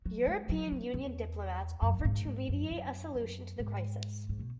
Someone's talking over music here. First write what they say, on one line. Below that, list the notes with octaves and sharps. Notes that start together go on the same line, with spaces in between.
European Union diplomats offered to mediate a solution to the crisis.
F#3
G#3
F#3
F#3
E2
F#2
F#2
G#2
G#2
F#2
F#2
F#2
G#2
G#2
B2